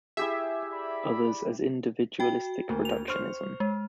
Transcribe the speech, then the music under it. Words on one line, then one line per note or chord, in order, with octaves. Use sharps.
Others as individualistic reductionism.
E4 G4 G#4 E5
D5 B5
F#4 G5
D2 A#3
F7
C5 C#6 F6
G#3